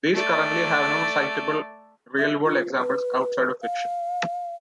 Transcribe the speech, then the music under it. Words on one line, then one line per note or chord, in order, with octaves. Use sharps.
These currently have no citable real-world examples outside of fiction.
A3 D5
E5
F4
B4
F5